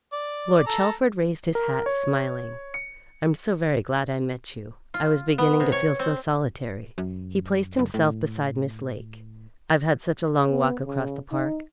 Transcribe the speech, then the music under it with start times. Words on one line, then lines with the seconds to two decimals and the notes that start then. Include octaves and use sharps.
Lord Chelford raised his hat, smiling: 'I am so very glad I met you, I was beginning to feel so solitary!' he placed himself beside Miss Lake. 'I've had such a long walk across the park.
0.13 D5
0.67 A4 A#5
1.55 A#4
1.86 C#5
2.74 C#7
4.94 F4
5.38 B3
5.60 C3
5.72 C#5
5.99 C4
6.98 F#2
7.79 F#1
7.94 A2
10.50 B3
10.86 C#3
11.31 D#4